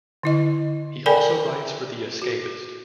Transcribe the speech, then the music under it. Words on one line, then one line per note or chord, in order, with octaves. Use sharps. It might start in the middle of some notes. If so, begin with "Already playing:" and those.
He also writes for "The Escapist".
D3 E4 D#5
A4 A#4 D5 G5 G#5 B5
F#4